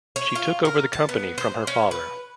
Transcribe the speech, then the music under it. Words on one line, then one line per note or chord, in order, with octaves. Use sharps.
She took over the company from her father.
C#5
F4
A#4
A5
B3
C5
C#4
B4